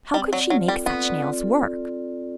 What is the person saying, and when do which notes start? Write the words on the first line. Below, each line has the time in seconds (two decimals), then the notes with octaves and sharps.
How could she make such nails work?
0.14 G3 C4
0.32 F#3 D5
0.50 F#3 F4
0.68 G3 A4
0.86 B3 C4
1.04 D5
1.22 F4
1.39 A4